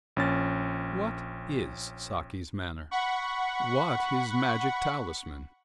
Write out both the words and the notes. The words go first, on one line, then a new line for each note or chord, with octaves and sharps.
What is Saki's manner, what his magic talisman?
A#1 C#4 A6
F#5 B5 C#6